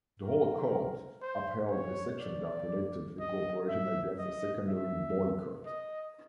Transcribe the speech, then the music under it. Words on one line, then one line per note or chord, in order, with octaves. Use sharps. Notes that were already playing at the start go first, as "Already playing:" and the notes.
The whole Court upheld a section that protected a corporation against a secondary boycott.
A#4
C5
C#5
D5
D#5
E5
D#5
E5
D#5